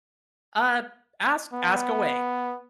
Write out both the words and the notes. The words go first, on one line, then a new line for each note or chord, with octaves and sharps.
uh, ask ask away.
B3